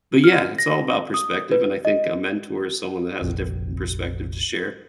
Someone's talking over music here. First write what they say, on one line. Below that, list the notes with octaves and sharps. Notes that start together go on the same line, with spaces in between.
but yeah, it's all about perspective. And I think a mentor is someone that has a different perspective to share,
F6
A#6
D#6
B4
D#5
F1 A#1